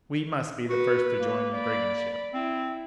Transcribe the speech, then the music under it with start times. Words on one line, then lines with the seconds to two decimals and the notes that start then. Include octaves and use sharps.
We must be the first to join the brigand ship.
0.70 F#4 B4
1.17 A#3
1.55 D5 B5
2.34 C4 E4